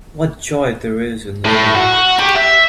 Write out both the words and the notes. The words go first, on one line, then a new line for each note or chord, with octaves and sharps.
What joy there is in living.
A2
F#4
G4
E5